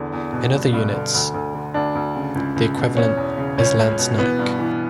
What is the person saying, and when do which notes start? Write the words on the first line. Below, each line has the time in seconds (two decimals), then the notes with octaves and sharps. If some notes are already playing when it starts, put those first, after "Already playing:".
In other units the equivalent is lance naik.
Already playing: E2 D3
0.13 E2
0.33 B2
0.53 G2
0.73 G2
0.94 D3
1.15 D2
1.34 D2
1.54 D3
1.74 D2 D4
1.95 D2
2.16 C#3
2.35 C#2
2.56 C#2
2.77 B2
2.97 E2 C#4
3.17 E2
3.38 C#3
3.57 C#2 C#4
3.79 C#2
3.98 B2
4.18 E3 B3
4.39 G2
4.59 E3